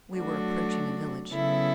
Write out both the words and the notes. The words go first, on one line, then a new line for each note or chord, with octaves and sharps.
We were approaching a village.
F#3 A3 D4 F#4
C#3 F#3 B3 E4 A4